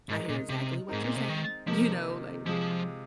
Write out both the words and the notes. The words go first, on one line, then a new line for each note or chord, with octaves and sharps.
I hear exactly what you're saying," you know, like,
G#2 G#3 D#4 A#4
A#2
C3
G#2 G#3 C4 D#4 A#4
A#2
C3
D#3
C3 D#3 F3 A#3 D#4 A#4
C3 F3 G#3 F4 G#4